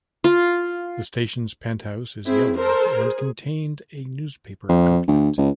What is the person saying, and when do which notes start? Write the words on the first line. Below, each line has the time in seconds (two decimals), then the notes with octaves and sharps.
The station's penthouse is yellow and contained a newspaper outlet.
0.24 F4
2.26 C4 E4 G#4
2.56 A4 A#4 C5
3.00 G#4
4.69 F2
5.08 D2
5.38 C#2